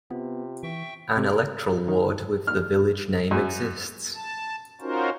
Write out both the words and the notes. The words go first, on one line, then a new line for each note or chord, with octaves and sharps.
An electoral ward with the village name exists.
C3 B3 F4
E3 E5 G5 C#6
C3
A#4
D#3
F6
F#2
A5
C#4 D#4 F4 F#4 A#4 C5